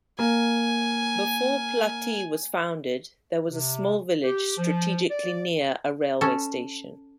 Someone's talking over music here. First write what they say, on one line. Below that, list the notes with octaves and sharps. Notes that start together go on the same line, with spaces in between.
Before Platy was founded, there was a small village strategically near a railway station.
A#3 G#5
C3
G4
F3
D5
C#4 A4